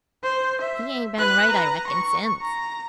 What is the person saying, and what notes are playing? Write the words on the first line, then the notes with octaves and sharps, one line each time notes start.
He ain't been right, I reckon, since.
C5
E5
B4 F#6
A#5
C#6
A#5